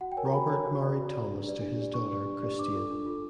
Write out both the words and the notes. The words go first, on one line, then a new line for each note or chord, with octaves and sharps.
Robert married Thomas to his daughter Christian.
F#4 F#5
G5
A#4 C#5 G#5
A#5
F#4 B5
A#4 C#5
F#4
B4 D5
F#4
B4 D5
D4
G4 B4 D5
D4
G4 B4 D5
D4 C#6
G4 B4 D5
D4
G4 B4 D5
D4 D6
F4 A4
D4
F4 A4